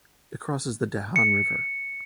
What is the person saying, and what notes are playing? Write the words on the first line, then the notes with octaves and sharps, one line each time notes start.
It crosses the Dahan River.
C#7